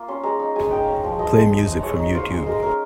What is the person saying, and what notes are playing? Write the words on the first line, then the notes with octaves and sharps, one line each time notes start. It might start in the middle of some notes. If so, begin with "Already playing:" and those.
Play music from Youtube.
Already playing: A#3 F4
C#4 C6
G#3 A#5
D#4
G#3 G#5
D#4 G5
C#4
F3
F3 D#5
G#3
G#3
D#4
G#3 C#5
D#4
F4 C5
G#3
G#3 A#4
C#4 A#4